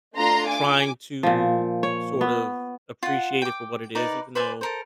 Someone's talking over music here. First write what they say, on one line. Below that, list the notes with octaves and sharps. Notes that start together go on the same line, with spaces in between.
trying to sort of appreciate it for what it is, even though,
A3 D4 F4 A#5 C6
G#5 D6
A#2 F3
C#5
B3
F4 F#5
G5 D6
D#4 A#4 B4 D5
B4 C5 D5 G#5
A4 A#4 C5